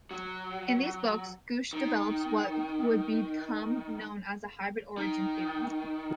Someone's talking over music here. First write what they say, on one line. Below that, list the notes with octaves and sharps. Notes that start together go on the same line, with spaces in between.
In these books, Gooch develops what would become known as the "hybrid-origin theory".
F#3
D#3
D#3